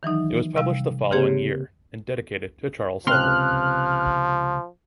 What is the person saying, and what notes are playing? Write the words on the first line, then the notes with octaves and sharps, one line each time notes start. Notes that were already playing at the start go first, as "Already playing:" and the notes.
It was published the following year and dedicated to Charles Sedley.
D#3 E3 F#3 D#4
C3 G3 F5 E6
C#3 A#3 C4 G4 G#4 C#5
C#2 C3 F3 C6 F6 F#6